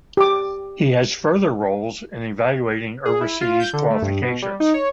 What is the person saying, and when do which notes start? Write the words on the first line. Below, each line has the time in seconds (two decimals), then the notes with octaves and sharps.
It has further roles in evaluating overseas qualifications.
0.17 G4 D6
3.05 G#4
3.21 E4
3.41 F4
3.60 G6
3.73 D3
3.90 A3
4.02 G2
4.22 B2
4.42 G3
4.60 D#4
4.74 C#5